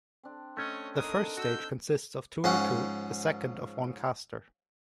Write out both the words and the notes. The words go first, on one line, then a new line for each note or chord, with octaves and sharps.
The first stage consists of two Recruit, the second of one Castor.
C4 D4
A3 C#4 C#5 D#5
D4 D#4 A4 A#4 D#6
F#4 E6 G6
G#2 F3 C#4 F#5